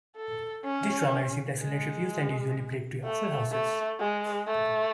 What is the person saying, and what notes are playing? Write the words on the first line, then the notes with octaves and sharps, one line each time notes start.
This drama received excellent reviews, and usually played to full houses.
A4
C#4
G#3
A3
A3
G#3
A3